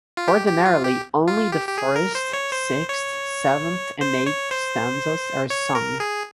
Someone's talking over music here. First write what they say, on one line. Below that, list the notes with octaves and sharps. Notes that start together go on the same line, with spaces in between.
Ordinarily, only the first, sixth, seventh and eighth stanzas are sung.
F4
G4
G4
F4
G4
F4
G4
G4
G#4
A#4
C5
C#5
C5
C#5
C5
C#5
C5
C#5
A#4
G#4